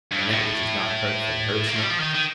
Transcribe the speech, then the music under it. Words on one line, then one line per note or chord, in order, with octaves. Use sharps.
And that which is not hurtful hurts not?
G2
A2
A#3
A3
G3
F3
D#3
D#3